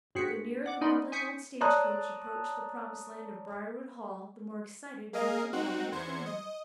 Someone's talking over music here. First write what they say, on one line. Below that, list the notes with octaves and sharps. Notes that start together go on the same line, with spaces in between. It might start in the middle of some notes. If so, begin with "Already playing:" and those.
But the nearer the rumbling old stagecoach approached the promised land of Briarwood Hall the more excited Ruth and Helen became.
G2 F#4 G#4 C5 B6 C#7
F#5 D6
C#4 D#4 D5 D#5 B5 C6
G#5 C#6 D#6 G6 B6 C#7
C#5 D5 A5 A#5 D#6 F#6
A#3 G#4 A#4 D#5 F5
C4 D#4 F#4 F#6
E2 C5 G#6 C#7
D#5